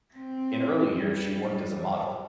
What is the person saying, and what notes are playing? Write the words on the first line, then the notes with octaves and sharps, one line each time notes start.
In early years she worked as a model.
C4
G3